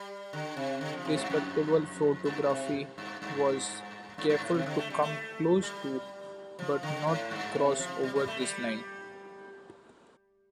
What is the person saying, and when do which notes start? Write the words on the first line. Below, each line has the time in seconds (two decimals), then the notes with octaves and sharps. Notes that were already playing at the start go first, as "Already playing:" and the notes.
"Respectable" photography was careful to come close to, but not cross over, this line.
Already playing: G3
0.33 D3
0.57 C3
0.81 D3
0.93 F3
1.05 C3
1.17 G2
1.30 F2
2.25 G2
2.50 C3
2.98 G2
3.22 G2
4.18 G2
4.30 G2
4.42 A2
4.54 C3
4.66 D3
4.79 A3
4.90 G3
5.02 A3
5.62 G3
6.59 F3
6.83 D3
7.07 A2
7.31 G2
7.55 C3
7.79 F3
8.03 G3
8.16 G3
8.28 A3
8.40 G3